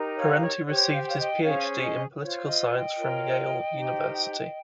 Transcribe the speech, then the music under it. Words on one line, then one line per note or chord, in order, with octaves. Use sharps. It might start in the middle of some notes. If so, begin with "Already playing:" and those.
Parenti received his PhD in political science from Yale University.
Already playing: D#4 G4 A#4
C#5 F5
C#5
G4 C5 C#5
F5
G5
C#5 F5
D#5 G5
C#4 G#4 C5 C#5 F5
C#5
D#5
F4 C5 C#5
D#5
D#5 G5
F4 A#4 C#5
D#4 G4 C5